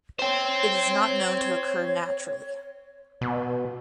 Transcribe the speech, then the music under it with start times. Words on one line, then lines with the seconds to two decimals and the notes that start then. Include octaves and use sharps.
It is not known to occur naturally.
0.19 C5 C#5 G5
3.21 B2